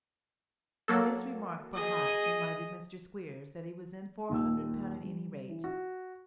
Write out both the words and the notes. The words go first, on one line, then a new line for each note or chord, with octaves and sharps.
This remark, perhaps, reminded Mr Squeers that he was in for a hundred pound at any rate.
F#3 A#3 A4
G#4 D#5
D#1 D#2 A#2 E6
G3
E3
F#4